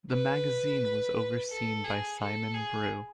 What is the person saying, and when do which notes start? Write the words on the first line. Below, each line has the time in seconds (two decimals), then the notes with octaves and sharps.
The magazine was overseen by Simon Brew.
0.11 B4
1.50 A4
1.84 G#4
2.19 A4
2.54 G#4